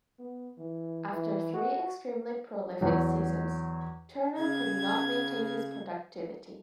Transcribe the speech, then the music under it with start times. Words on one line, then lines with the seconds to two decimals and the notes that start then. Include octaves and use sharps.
After three extremely prolific seasons, Turner could not maintain his productivity.
0.19 B3
0.58 E3
1.11 E3
1.54 F#4
2.81 E2 F#3
4.38 C#3 C#4 G#6